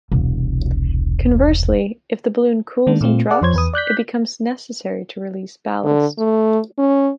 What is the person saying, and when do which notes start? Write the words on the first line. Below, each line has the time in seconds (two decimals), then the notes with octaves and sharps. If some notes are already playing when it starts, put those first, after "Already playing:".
Conversely, if the balloon cools and drops, it becomes necessary to release ballast.
0.12 E1 C2
2.87 D#3 G#3 A#3 D4
3.01 A#2 A3 C4 F4
3.30 G#4 D5 F#5
3.42 F2 F3 C5 C#5 G#6
3.54 E2 B4 D#6
3.74 D5 F#6 G6 B6
5.84 D3
6.18 A3
6.78 C#4